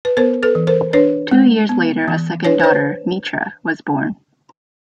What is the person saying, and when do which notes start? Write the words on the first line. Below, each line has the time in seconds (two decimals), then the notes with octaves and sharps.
Two years later a second daughter, Mitra, was born.
0.05 B4
0.17 B3 A#4 C5
0.43 A4 B4
0.55 E3
0.67 A#4 C5
0.93 D4 B4 C#5
1.31 G#3
1.69 B3
2.08 E3
2.45 D4 B4 C#5
2.60 C5
2.64 B4 C#5